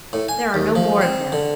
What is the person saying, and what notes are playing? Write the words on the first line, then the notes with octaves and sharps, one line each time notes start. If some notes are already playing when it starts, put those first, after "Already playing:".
"There are no more of them."
A2
G#5
D#2
F3
C4
D3